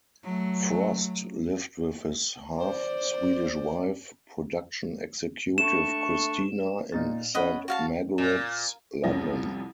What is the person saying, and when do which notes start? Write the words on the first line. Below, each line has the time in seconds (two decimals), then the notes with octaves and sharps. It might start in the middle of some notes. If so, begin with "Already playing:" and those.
Frost lived with his half-Swedish wife, production executive Christina, in Saint Margarets, London.
0.23 F#3 A3
2.59 C5 D5
5.58 A3 D4 C#6 E7
6.92 A#2 D#4 A6
7.35 C#4 D#5 F#5 B5
7.68 F#4 F5 A5
8.18 A#2
9.04 C2 F2 F3 C#4 A#6